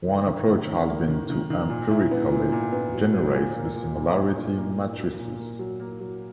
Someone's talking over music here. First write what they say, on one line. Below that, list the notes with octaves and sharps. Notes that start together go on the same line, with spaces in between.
One approach has been to empirically generate the similarity matrices.
D#3
D#3
D#3
D#3
A#3
D#3
D#3
D#3
A#2
E4
B3
A#2
A#2
B3
F#3
F#3
A#2
A#3
A#2
A#2
D#4
A#2
A#3
A#3
F#3
A#2
A#3
F#3
A#3
F#3